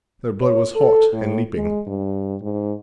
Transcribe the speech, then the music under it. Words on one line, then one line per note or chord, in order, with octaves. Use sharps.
Their blood was hot and leaping.
C#5
A4
A2
G#3
G2
G#2